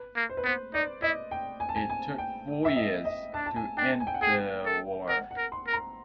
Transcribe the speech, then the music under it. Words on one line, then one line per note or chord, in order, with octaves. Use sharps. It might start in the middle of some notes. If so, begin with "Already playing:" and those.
It took four years to end the war.
Already playing: B4
A#3
C5
B4
B3 C5
D#4 D5
E4 D#5
G5
G#5
A5
G#5
G#5
G5
E5
D#5
D#5
D4 A5
A5
G#5
D4 G5
G#5
G5
F#5
G#4 G5
A4
A#4 F#5
F#5
A#4
C6
A#4
A#5